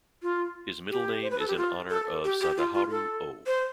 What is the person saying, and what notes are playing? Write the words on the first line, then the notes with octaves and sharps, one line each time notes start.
His middle name is in honor of Sadaharu Oh.
F4
G4
C5
B4
A4
G4
F4
A4
G4
G4
F4
F4
A4
C5